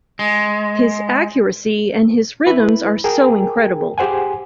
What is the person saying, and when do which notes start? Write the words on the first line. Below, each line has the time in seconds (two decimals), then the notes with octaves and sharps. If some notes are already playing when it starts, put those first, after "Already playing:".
His accuracy and his rhythms are so incredible.
0.19 G#3
2.46 E4 B4
3.04 G#4 A#4 G5
3.98 G4 G#4 C5 F#5 G#5